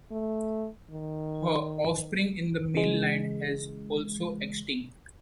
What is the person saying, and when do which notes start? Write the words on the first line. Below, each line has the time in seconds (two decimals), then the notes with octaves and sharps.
Her offspring in the male line has also extinct.
0.11 A3
0.90 D#3
2.74 C#3 E3 G#3